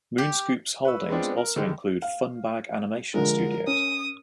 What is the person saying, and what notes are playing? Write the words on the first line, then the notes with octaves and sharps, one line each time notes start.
MoonScoop's holdings also include Funbag Animation Studios.
G4
B4 C#6 E6
G#3 B3 C4 D4 F4
A#4
D3 D#3 G3 G#3
F5
D3 F3 G#3 A#4
C#4 D#6